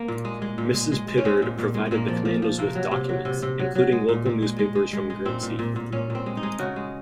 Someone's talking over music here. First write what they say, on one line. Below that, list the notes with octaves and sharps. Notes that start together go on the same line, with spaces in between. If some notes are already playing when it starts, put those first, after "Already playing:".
Mrs Pittard provided the commandos with documents, including local newspapers from Guernsey.
Already playing: A#3
A#2
G#3
G#3
A#2
G#3
G#3
G#3
C#4
G#3 C4
A#2
A#2
G#3
A#2 A#3
F3
F3
F3
C3 A#3
F#3
C3
F#3
C3
C3
F#3
F#3
G#3
A#2
A#2
G#3
G#3
G#3
G#3
G#3
A#2 C4
A#2
A#2
A#2
A#2 C#4
A#2 C4
G#3
D#4
G#3
C#3 F#4
G#3